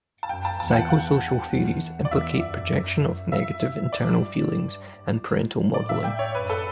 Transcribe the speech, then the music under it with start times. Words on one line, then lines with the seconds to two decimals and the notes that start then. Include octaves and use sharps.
Psychosocial theories implicate projection of negative internal feelings and parental modeling.
0.23 A5
0.29 F#2 G5
0.45 A5
0.60 E2 A5
0.71 F#5
0.75 G5
0.90 F#5
1.51 E2
2.05 D5
2.11 E2 E5
2.41 F#2
3.32 E5
3.92 G2 D5
5.74 A2 D5
5.89 E5
6.04 G5
6.19 C#5
6.34 F#2 B4
6.50 A4